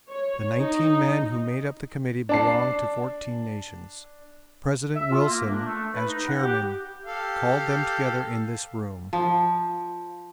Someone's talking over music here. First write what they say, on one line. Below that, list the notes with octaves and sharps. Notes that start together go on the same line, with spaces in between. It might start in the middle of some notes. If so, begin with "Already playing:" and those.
The nineteen men who made up the committee belonged to fourteen nations. President Wilson, as chairman, called them together in this room.
C#5
D#4
D4 A5 C7
E5
F4
A#3
D4
A3
B4
D#4
F#5
G4
G4 A4 F5
F3